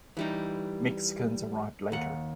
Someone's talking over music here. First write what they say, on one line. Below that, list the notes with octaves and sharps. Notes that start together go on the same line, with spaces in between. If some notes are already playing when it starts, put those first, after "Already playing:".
Mexicans arrived later.
E3 G3 D#4
D#2 F#5